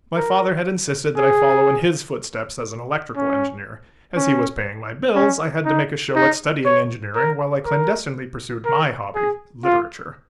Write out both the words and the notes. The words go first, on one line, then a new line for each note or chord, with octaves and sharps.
My father had insisted that I follow in his footsteps as an electrical engineer; as he was paying my bills, I had to make a show at studying engineering while I clandestinely pursued my hobby, literature.
A#4
G#4
C#4
C#4
C#4
D#4
D#4
C#5
A#4
A#4
A#4
G#4
F4